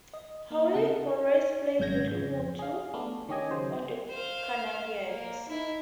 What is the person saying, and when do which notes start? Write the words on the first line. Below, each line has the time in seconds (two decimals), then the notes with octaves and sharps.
Howie Morenz played with Coutu on the Canadiens.
0.13 D#5
0.50 A#3
0.74 C#3 C4 E5 F#5 A5
1.79 G#1 F#2 C#3 G6 G#6 A#6
2.11 F2 C#3
2.59 G#4 F5
2.94 A3 B3 D4
3.29 D#3 C#4 G4 D#5 G#5
3.51 C#3 F#3 C5
4.09 C5 F5
5.04 A#3
5.49 D#4 E4